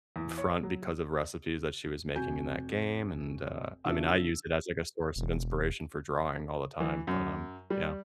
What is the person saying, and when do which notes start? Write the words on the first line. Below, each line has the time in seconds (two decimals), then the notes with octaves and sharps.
front because of recipes that she was making in that game, and, uh I mean, I use it as, like, a source of inspiration for drawing all the time, but, um, yeah.
0.16 E2
0.38 C#5
0.63 F#3
2.16 F1 C3 F#4 G#5 G6
3.86 C#3 F3 D4 F#4 E5 E6
5.16 E1
6.80 E3
7.07 F#2
7.70 G3